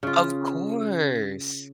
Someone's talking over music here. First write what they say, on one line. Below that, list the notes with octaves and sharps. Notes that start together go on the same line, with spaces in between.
Of course.
C#3 F4